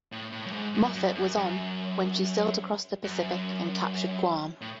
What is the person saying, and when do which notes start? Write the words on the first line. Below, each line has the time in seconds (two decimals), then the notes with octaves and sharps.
Moffett was on when she sailed across the Pacific and captured Guam.
0.12 A2
0.32 A2
0.46 F#2
0.53 G#2
0.75 F#2
0.95 F#2
1.15 F#2
1.37 F#2
3.04 F#2
4.61 A2